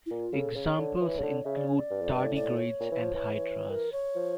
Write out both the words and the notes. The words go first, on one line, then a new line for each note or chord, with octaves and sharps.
Examples include Tardigrades and Hydras.
E4
A#2 F4
C#3 A4
C#3 C#5
D3
E3
C#3
D3
C#3 E5
D5
C#5
D5
G2
F2
G2
A2
D5
C#5
A#2
E3
F3
E3
A#4
C#5
F3